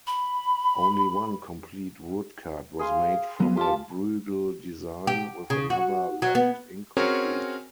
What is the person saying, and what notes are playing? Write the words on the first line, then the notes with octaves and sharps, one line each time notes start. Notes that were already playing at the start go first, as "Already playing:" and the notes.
Only one complete woodcut was made from a Bruegel design, with another left incomplete.
B5
G#4 F5 C6
F#3 B3
F4 G4 A5
G4
C#3
F#4
F#3
B3
C4 C#4 F#4 G#4 A#4 C#5